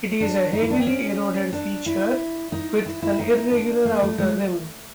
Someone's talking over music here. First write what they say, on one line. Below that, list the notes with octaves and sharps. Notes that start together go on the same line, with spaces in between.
It is a heavily eroded feature with an irregular outer rim.
D4
D#4
E4
D4
C4
C#4
D4
E4
D#4
E4
E4
D#4
D4
A#3
A3
G#3